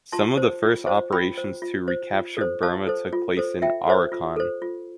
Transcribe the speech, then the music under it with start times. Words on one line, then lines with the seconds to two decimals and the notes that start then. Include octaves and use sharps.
Some of the first operations to recapture Burma took place in Arakan.
0.12 F4 A5 C6
0.37 C5
0.62 F4
0.87 C5
1.12 F4 G5 B5
1.38 C5
1.62 F4
1.88 C5
2.12 F4
2.37 A4 C5
2.62 F4 F5 A5
2.87 A4 C5
3.13 F4
3.37 A4 C5
3.62 F4 E5 G5
3.87 A4 C5
4.12 F4
4.36 A4 C5
4.62 F4